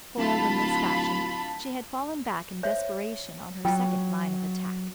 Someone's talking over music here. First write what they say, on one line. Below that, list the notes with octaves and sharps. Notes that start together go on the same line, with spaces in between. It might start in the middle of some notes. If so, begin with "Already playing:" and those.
Foiled in this fashion, she had fallen back in desperation on her second line of attack.
D1 F4 A5 B5
C5 C#5 E5
F#3 F4 G5